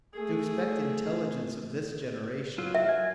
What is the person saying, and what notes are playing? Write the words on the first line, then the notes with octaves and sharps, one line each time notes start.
"To expect intelligence of this generation!"
A3 G#4
F#3 F4
E5
G#5